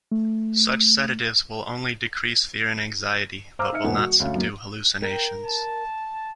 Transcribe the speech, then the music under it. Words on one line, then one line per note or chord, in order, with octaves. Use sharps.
Such sedatives will only decrease fear and anxiety, but will not subdue hallucinations.
A3
C5 F5 A#5 D6 E6 F6
D#4 E5 F6 C#7
E1 A#2 B3 C5 F#5 G#5
F#4
D2 C#4 F5
F#2 A#3
A#4 G5
A5